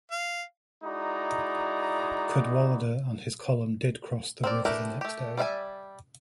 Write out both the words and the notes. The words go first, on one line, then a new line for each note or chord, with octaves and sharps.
Cadwalader and his column did cross the river the next day.
F5
G#3 D#4 E4 F#4 D5 A#5
C4 A#4 D5
E3 A3 D4 G4 A#4
A3 G4
G3 D5 E5 F5 G#5